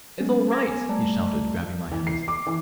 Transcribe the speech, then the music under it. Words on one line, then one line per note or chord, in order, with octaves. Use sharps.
"It's all right!" he shouted, grabbing my hands.
F#3 G#3 A#3 B3 C#4
D6 G#6 A#6
B3 G#5
G3 A3 D5 A5 A#5
E3
C7
D6
E3